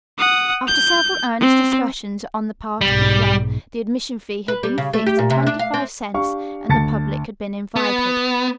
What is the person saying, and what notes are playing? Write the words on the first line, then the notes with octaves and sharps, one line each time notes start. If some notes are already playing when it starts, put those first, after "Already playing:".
After several earnest discussions on the part of the club, the admission fee had been fixed at twenty-five cents, and the public had been invited.
F#5 D#6
G6
C4
B1 G#2 G3
B4
G3
C#3
A3
G4
A#2
C3
D4
F5
C4
D4 G4 F5 C#6
D2 A5 A6 C#7
B3